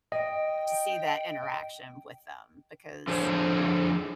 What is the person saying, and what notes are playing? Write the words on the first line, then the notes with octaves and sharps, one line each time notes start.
to see that interaction with them because,
D#5 G5
D3 F3 D4 G#4 C5 C#5